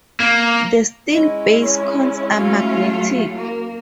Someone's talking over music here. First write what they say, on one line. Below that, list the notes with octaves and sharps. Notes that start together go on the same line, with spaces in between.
The steel base coins are magnetic.
A#3
G#3 C#4 E4 D#5
C#5
F#3 A3 F4 F#4
A#3